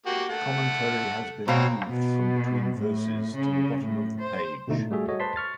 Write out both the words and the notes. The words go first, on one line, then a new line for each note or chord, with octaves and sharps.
Commentary has been moved from between verses to the bottom of the page.
A#3 F#4 G4
A3 F#5
B2 C4 C#5 F5 A#5
B2
A2
C#3
A2
C5
B2 D3 A3 D#4
A2
G3 A3 F#4 G#4 E5
F#4 A4 C#5 D#5
B4 C5 A5 C6 B6
C#6 F6 A6